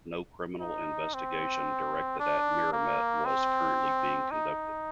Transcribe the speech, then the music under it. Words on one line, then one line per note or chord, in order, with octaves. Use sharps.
No criminal investigation directed at Mieremet was currently being conducted.
D#4
C4
D4
A#3
C4
D#4